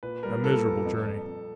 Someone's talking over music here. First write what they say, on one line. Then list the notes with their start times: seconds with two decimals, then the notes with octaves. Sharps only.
A miserable journey.
0.03 A#2 B4
0.23 G3 A#4
0.43 A#2 A4
0.64 B3
0.85 F2
1.05 F2
1.27 F2